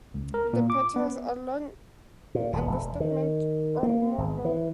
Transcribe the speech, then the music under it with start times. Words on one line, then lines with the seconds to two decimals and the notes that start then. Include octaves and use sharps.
The petals are long and the stamens or more long.
0.14 C#2
0.34 A#4
0.53 A#2
0.70 D6
0.96 B3
2.35 A#2
2.53 D#1
2.67 E1
3.00 D#3
3.83 A#3
4.18 G#1
4.45 E3